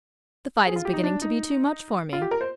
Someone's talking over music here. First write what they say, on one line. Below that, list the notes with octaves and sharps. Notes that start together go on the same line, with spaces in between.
The fight is beginning to be too much for me.
G#4
F4
G4
D#4
D4
D#4
F4
G4
A#4
C5